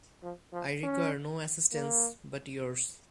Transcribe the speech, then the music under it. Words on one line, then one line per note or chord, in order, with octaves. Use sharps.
I require no assistance but yours.
F3
F3
C#4
A#3